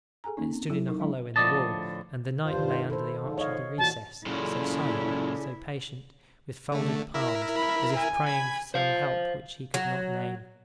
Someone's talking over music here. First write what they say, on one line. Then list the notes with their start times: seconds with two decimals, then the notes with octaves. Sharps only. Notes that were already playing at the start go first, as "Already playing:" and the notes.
It stood in a hollow in the wall, and the knight lay under the arch of the recess, so silent, so patient, with folded palms, as if praying for some help which he could not name.
0.24 G#4 A4 G#5 A#5
0.37 A#3 C#4 D#4
0.53 C4
0.70 F#3 E4 A4
0.88 D#4 A#4
1.00 F#3 G#3 D4 E4
1.36 A2 D3 F3 D5 D#5 A5
2.45 G2 F4 C5
2.58 D#3
2.90 E4 A4 C5
3.21 G#2 D3 F3
3.38 C#5 D#5 F5
3.78 A#2 E3 F#4 A5
4.26 F#2 A#2 C#3 E4 G#4 A4 D5
6.72 D3 A3
7.14 E4 A#4 E5
7.56 B5
7.96 G#5
8.27 B5 G#6
8.74 C5 F5
9.74 F#3